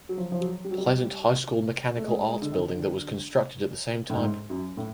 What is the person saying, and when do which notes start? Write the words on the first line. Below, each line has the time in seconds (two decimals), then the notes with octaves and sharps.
Pleasant High School Mechanical Arts Building that was constructed at the same time.
0.09 F#3
0.18 F3
0.32 F3
0.41 F#3
0.65 G3
0.71 F#3
0.78 G3
1.97 A3
2.05 G#3
2.28 G#3
2.42 D3
2.52 D#3
2.74 D3
4.10 A2
4.15 G#2
4.50 F#2
4.77 A2